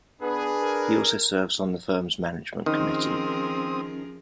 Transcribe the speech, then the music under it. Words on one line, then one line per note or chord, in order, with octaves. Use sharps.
He also serves on the firm's Management Committee.
B3 D4 G#4 B4
A#4
D#3 F3 C4 C#4 G#4 A#4 D#6